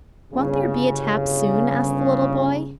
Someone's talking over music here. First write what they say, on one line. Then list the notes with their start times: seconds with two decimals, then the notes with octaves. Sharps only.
"Won't there be a tap soon?" asked the little boy.
0.33 G1 C#3